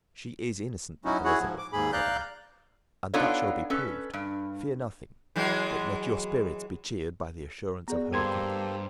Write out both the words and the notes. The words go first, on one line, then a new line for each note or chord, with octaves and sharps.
"She is innocent, my Elizabeth," said I, "and that shall be proved; fear nothing, but let your spirits be cheered by the assurance of her acquittal."
F#3 C#4 D#4 E4 F#4
E4 F#4 G#4 C#5 F#5
G#2 F3
D6
D#2 G#2 G#4 B5
D5 F5 A#5 F#6 G6
B3 D4 D#4 F4 A4 C#5
C#4 A4 B4
G2
E3 F#3 G#3
B3 F#4 G#4 D5
G2 A#3 G4 A4 C5 G#6 D#7